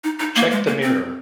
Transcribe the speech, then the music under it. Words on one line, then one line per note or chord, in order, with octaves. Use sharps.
Check the mirror.
D#4
D#4
A#3
G#3
A#3
C4